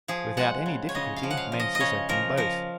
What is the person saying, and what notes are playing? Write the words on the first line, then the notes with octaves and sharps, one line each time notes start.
Without any difficulty Mansus opened both.
F3 G#4
G#3 F#5
C#3
C#5
C#3 D#5
F5
F3
F#5
F5
F3
D#5
D#5
C#3 C#5
F3 A#4
F3 A#4